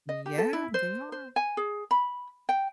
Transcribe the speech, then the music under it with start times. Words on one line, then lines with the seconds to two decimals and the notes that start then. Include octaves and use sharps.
Yeah, they are,
0.09 D#5
0.26 G4
0.38 A4
0.53 E4
0.74 C5
1.12 C5
1.36 G#5
1.57 G#4
1.91 B5
2.49 G5